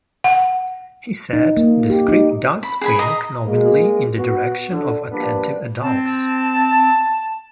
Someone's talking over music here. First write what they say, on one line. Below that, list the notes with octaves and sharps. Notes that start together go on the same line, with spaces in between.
He said, "The script does wink knowingly in the direction of attentive adults".
F#5
D#4
A#3
G4
D#4
B5
G#4 G#5 B5
D#5 A#5
G#3 A#3
B3 F#4
D3
A#2 F3 G3 B3 D4 B4
C4 A5